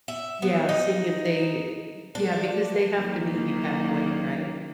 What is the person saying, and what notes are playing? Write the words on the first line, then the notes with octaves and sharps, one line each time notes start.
Yeah, seeing if they eh yeah, because they have to meet you halfway, right?
E5
B3
D#4
D4
F#1 D#3 A#3